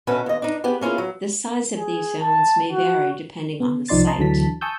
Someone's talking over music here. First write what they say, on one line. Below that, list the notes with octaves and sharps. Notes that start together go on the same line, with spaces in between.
The size of these zones may vary depending on the site.
D2 B2 A3 C#4 B4
D#2 D#5
D4 D#4
B3 G4 G#4
A#3 C#4 E4 F4 G#4
F#3
G#4
A5
F#4
B3
C2 F3 D#4 D5 C6 A6
D#5 A5 A#5 C6
D2 D3 E3 F#3 A5 B6
G#5 A5 C#6 D#6 E6 G6